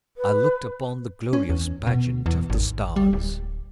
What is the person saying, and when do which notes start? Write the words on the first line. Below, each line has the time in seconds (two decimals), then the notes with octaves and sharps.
I looked upon the glorious pageant of the stars.
0.17 B4
1.33 C#4
1.50 E2
1.87 B2
2.26 E2
2.50 G#1
2.96 G3
3.13 D1